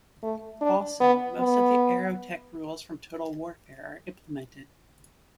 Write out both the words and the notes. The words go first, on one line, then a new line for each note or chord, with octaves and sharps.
Also, most of the "AeroTech" rules from "Total Warfare" are implemented.
A3
D4
B3
B3